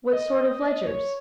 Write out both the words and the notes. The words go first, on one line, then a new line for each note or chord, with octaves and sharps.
"What sort of ledgers?"
D#5
C#5